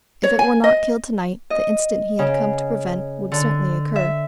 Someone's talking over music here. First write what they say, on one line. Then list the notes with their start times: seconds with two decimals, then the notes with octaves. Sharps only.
If it were not killed tonight, the incident he had come to prevent would certainly occur.
0.23 C#5
0.39 G#5
0.64 D#5
1.50 D#5
2.19 C#3
3.32 D3
3.96 E5